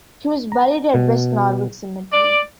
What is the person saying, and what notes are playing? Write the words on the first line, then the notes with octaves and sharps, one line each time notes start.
He was buried at West Norwood Cemetery.
A#5
B2
D5